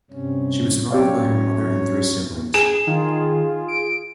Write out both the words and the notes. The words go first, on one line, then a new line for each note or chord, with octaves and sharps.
She was survived by her mother and three siblings.
G2 C3 C#4
F#3 C#4 G4 C#5 D5 F5
G#4 E7
D#3 F4 G#4
D7